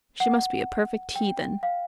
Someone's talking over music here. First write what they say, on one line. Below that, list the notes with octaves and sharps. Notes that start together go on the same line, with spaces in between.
She must be a perfect heathen.
F#5
G5
F5